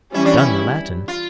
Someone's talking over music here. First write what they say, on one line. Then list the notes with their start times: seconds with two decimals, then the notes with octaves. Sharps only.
"Done the Latin!"
0.14 E3 G3 C#4 E4
0.25 D4
0.37 E4
1.08 F4